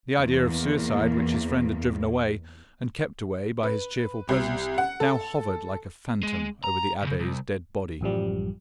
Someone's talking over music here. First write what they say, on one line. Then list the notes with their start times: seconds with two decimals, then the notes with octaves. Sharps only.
The idea of suicide, which his friend had driven away and kept away by his cheerful presence, now hovered like a phantom over the abbe's dead body.
0.18 E2 A#3
3.63 B4
4.29 C2
4.78 F#5
5.00 A4
6.23 G#3
6.64 A#5
7.03 C2 C#3
7.20 C2
8.01 A1 F#2 F3 G3